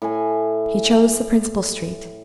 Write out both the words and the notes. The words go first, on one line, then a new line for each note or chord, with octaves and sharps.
He chose the principal street.
A2 G#5